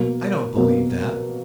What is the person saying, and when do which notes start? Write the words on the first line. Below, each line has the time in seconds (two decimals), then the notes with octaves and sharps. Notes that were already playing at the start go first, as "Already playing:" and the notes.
"I don't believe that."
Already playing: B2 F#3 A#3
0.56 B2 F#3 A#3